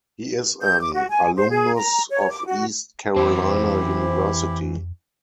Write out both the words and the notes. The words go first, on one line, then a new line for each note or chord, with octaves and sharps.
He is an alumnus of East Carolina University.
G6
D6
F#4
G#5
C5
G#4
A#5
C#5
D6
F#4
F2 E3 C4 E4 G4 C5